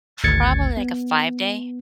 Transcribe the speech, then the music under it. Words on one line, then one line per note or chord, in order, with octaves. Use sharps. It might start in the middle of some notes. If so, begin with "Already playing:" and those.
Probably, like, a five-day.
G#1 D2 G#6 A6 C#7
B3